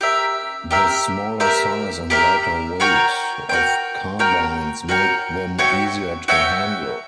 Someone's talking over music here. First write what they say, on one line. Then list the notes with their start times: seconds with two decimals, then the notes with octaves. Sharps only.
The smaller size and lighter weight of carbines make them easier to handle.
0.01 G4 A#4 E5
0.71 G4 A#4 E5
1.40 G4 A#4 E5
2.10 G4 A#4 E5
2.80 F#4 A#4 C#5 G5
3.49 F#4 A#4 C#5 G5
4.19 F#4 A#4 C#5 G5
4.89 F#4 A#4 C#5 G5
5.58 F#4 C#5 E5 G5
6.28 F#4 C#5 E5 G5